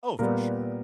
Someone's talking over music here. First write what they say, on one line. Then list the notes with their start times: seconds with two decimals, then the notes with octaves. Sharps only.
Oh, for sure.
0.19 A#2 G3 B3 A#4